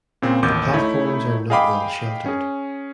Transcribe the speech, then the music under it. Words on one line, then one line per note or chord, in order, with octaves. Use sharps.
The platforms are not well sheltered.
A#2 C#3 C4
A1 D#2 D6 G6
A3 D#4 E4 C#5
G#4 D#5 F5 G5 B5 D6
C#4 G#4